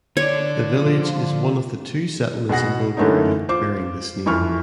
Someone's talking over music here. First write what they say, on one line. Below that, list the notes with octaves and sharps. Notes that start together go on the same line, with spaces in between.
The village is one of the two settlements in Bulgaria bearing this name.
D3 C#5 D5
F3 F4
B2 G#4 F#5 A#6
D3 E3 A3 A#3 C#4 D#4
F4 C5 D6
F2 E3 C#6 F6